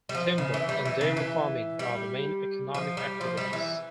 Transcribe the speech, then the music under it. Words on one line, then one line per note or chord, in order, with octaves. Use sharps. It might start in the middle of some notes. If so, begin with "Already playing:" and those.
Timber and dairy farming are the main economic activities.
G3
F3
C#3
E3
G3
E3
C#3
E3
G3
F3
G3
F3
G3
E3